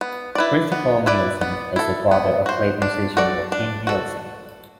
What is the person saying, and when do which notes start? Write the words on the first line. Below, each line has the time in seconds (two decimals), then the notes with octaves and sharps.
Christopher Nielsen is the brother of late musician Joachim Nielsen.
0.01 B3
0.35 E4 B4 D5
0.72 B3
1.06 E4 B4 D5
1.41 B3
1.76 E4 A4
2.11 B3
2.46 F#4 C5
2.82 D4
3.17 F#4 A4 D5
3.52 D4
3.87 F#4 A4